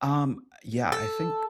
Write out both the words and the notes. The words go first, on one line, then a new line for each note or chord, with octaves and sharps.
Um, yeah, I think
A4